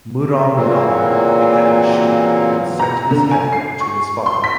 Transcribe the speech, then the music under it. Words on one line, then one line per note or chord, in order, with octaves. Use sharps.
Murong Nong beheaded Shi and sent his head to his father.
A#2 C#3 E3 F#3 A#3 C4
A#5
D3
G#5
C7
C#6
C6
B6